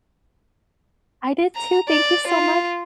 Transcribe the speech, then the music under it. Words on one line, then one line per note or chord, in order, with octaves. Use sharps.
I did too. Thank you so mu
A#5
D5
F4